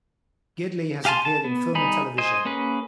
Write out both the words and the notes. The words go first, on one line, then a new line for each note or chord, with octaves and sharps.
Gidley has appeared in film and television.
G4 F5 G#5 A5 C6
A5
B3
G3 D#4 G#5 B5
C5 D#5 G#5
A#3 C#4 G#4 B4